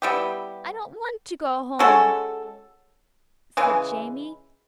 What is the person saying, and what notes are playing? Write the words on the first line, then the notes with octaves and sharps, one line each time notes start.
"I don't want to go home," said Jamie.
G3 B3 E4 G4
G#3 C#4 F#4 A4
C#3 E3 G#3